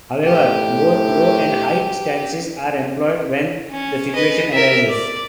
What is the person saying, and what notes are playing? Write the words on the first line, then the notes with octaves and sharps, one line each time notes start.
However, both low and high stances are employed when the situation arises.
A2 C3 G4
C#4
B4 D#5
A#4 E5
D5